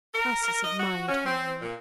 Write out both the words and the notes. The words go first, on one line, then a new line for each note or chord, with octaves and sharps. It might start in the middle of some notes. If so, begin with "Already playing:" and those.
Ursus admired Homo.
A#4
A#4
D#5
F#4
C#4
C4
A#2